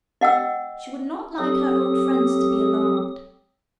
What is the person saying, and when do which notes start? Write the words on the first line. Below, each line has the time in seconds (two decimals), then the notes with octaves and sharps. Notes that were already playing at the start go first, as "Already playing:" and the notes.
She would not like her old friends to be alarmed.
0.21 D#5 F#5 G5 E6
1.38 F#3 C4 G4 A4 D#6